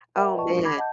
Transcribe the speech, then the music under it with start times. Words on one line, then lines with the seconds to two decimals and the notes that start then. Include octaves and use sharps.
oh man.
0.16 A#4 E5 F#5 G5 B5
0.34 B4 D5 D#5 G5 A5 C#6
0.50 D4 F#4 A#4 C#6
0.65 B5 D6 G#6 A#6
0.77 D#5 F#5 A5 G6